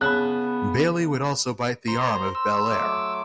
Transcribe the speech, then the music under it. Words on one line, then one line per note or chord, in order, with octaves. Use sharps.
Bayley would also bite the arm of Belair.
C#3 B3 A5 B5 C#6 F#6
C5 A#5
C6 E6
F#3 A3 D6